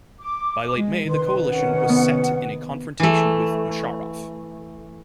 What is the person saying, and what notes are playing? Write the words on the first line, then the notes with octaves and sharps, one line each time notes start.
By late May, the coalition was set in a confrontation with Musharraf.
D6
G#3
C3 D#3 B4 C6
C#4 F#5
B3
E3 A3